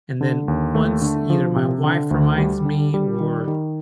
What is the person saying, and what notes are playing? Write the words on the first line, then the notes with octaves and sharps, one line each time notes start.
and then once either my wife reminds me or
D3
D#2
A3
D3
F3
C3
D3
D2
G3
D3
G3
D#3
D#3